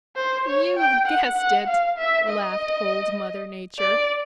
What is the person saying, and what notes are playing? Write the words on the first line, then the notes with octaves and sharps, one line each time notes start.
"You've guessed it," laughed Old Mother Nature.
C5
C#5
G5
F#5
F#5
F5
E5
D#5
D5